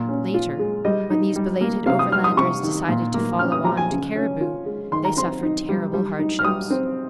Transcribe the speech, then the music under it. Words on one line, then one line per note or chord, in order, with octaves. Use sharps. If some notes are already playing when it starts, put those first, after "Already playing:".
Later, when these belated Overlanders decided to follow on to Cariboo, they suffered terrible hardships.
Already playing: A#2
C#4
F4
G#3
G3 D#5
D#4
G3
A#3
C3 F5
D#6
G3 F6
D#6
C3 C#6
D#3
A#2
A#3
C#4 F6
D#6
F3 A#5
G#5
C#3
C#4
F4
G#3
D#3 C6
A#5
C4 C6
D#4
G3
G3
D#4
F6
G3 D#6
C4